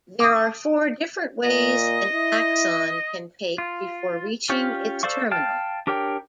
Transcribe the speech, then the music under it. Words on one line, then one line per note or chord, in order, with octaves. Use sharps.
There are four different ways an axon can take before reaching its terminal.
D6 D#6
A#2 D#5
E4
F4
C#4 F4 G4 C#5
A4 C5 D5 F5 C#6
F5 G5 A5 F6
D4 G4 A#4 C#5 G5